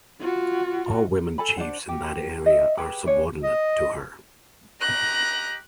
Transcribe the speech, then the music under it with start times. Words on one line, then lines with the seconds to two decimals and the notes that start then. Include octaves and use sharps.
All women Chiefs in that area are subordinate to her.
0.20 F4 F#4
1.38 A4 G#5 B5
1.57 D4 F4 C5 F#5
1.89 F#4 G4
2.46 D#5 E5
2.78 G4 G#4 B4
3.06 D4 C#5 D#5 G#5
3.43 D#5
4.81 G4 D#5 A#5 F#6